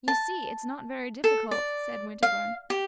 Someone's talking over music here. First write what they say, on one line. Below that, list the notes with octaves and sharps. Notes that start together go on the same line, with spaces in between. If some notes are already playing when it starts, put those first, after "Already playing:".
"You see, it's not very difficult," said Winterbourne.
A5
A4
D5
F5
G4